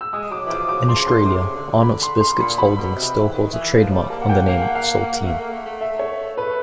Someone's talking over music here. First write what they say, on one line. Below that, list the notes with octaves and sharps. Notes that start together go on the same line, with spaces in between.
In Australia, Arnott's Biscuits Holdings still holds a trademark on the name "Saltine".
E6
G#3 D#6
F#3 D6
E3
F3 D6
F#3 D6
F3
C6
C#3
C6
D3
C3 D6
C#3
D3
D3
B5
C6
C6
A#2 B5
B2 B5
B2
C3
E3
D#3
E3
F3
G3
A#3 A5
F#5
A#3 G5
A#3 F5
F#5
F5
A#3
A3
A#3
A3
A3
A3 E5
C#5
B4